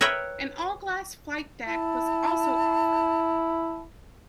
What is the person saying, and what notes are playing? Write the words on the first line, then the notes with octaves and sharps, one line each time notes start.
An all-glass flight deck was also offered.
A#4 B4 C#5 E5 G5
E4 A5